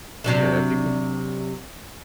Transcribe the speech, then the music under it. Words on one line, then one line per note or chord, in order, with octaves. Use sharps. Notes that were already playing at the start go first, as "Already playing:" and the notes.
Yeah, if you could
C3 F#3 D4